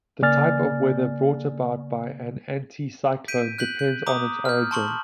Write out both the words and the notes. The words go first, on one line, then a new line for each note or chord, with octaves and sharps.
The type of weather brought about by an anticyclone depends on its origin.
C#3 A#3 D5 G#5 F6 A6
G6 B6 D7 D#7
F#6 G6 B6 F#7
G6
A#5 D6 D#6
F6 G6
A5 C6 C#6 F#7